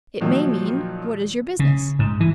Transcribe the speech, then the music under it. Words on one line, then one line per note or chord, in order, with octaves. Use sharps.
It may mean: What is your business?
A#2 D#3 F3 F#3
C#3
G#2
E3